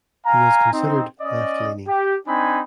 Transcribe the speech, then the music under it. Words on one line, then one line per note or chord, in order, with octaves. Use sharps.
He is considered left-leaning.
F5 G#5 A#5
C4 D#4
C#4 D5 D#5
G4
C4 D4 D#4 G#5 B5